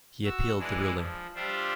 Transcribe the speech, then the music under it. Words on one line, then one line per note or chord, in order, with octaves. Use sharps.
He appealed the ruling.
F#4 E6
E3 G#3 D4 E4
F3
G3 D4 F4 G4 C5 E5